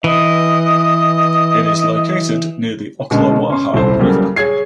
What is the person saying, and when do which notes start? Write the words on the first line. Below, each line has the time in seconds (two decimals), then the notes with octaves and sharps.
It is located near the Ocklawaha River.
0.04 E3 D#5
3.11 B2 D3 G#3 C#4
3.50 C#4 C6
3.73 D#1 C2 E4 A4 C5
3.99 C#3 F#3 G3 A#3 A4
4.36 G#4 C#5 G#6 C7